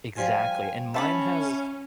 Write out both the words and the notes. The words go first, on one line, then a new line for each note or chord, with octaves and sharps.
Exactly, and mine has
F3 G3 F4 G#5
C#4 E5 A5 B5